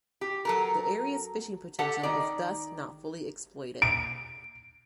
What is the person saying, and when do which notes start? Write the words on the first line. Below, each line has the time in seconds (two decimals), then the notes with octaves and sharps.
The area's fishing potential was thus not fully exploited.
0.21 G4
0.45 F#3 A4 A#4
1.79 G4 A4 F#5 A5
2.03 D#3 D5
3.82 D7